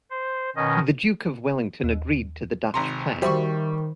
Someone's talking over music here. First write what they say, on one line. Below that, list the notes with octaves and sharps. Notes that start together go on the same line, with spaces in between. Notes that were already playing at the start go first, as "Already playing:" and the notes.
The Duke of Wellington agreed to the Dutch plan.
C5
B2 D#3 C#4 D#5
D#2
G#1 C3 A#5 C6
D#3 G3 F#4 C5 E5 C#6